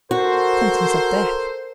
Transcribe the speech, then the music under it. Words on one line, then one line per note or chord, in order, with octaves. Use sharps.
"Sentence of death."
F#4 A4 A#4 C5